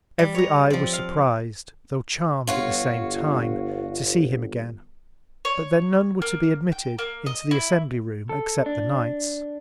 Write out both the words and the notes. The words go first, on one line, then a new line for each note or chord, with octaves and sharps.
Every Eye was surpriz'd, tho' charm'd at the same Time to see him again: But then none were to be admitted into the Assembly-Room except the Knights.
G3
C#5 A#5
F3 C4
F5
G1 F4 F#4 C#5
C#5
A#3
G5
A#3
D#5
E4
A4
D4